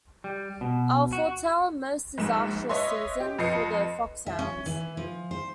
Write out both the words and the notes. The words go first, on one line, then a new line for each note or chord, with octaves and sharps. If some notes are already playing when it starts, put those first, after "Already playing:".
I'll foretell a most disastrous season for the foxhounds.
G3
B2
F#4
A#1 G#2 E7
B4 C#5 D#5 E5 C6
G4
F2 B4 D#5 C7 C#7
E5
C#4
E3
F3
C5